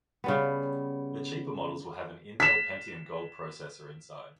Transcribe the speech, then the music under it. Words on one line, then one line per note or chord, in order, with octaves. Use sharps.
The cheaper models will have an Intel Pentium Gold processor inside.
C#3 G3 B3
B6 E7